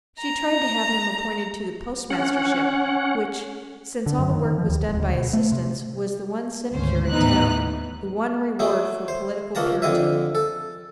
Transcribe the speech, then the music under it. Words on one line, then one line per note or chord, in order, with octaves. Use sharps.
She tried to have him appointed to the postmastership, which, since all the work was done by assistants, was the one sinecure in town, the one reward for political purity.
A#5
C#4 F#5
D3
F#2
D#3
D#3
F3
D#2
D1
D2
B2
A3
C3
G#1 D2 C#4 C5
D#2 A2 E3 B3 D#4 F#6
F#3 A3 D#4
C5
C#2 A#3 F#5 A5 A#5
F2 D3 D#5 E5
A4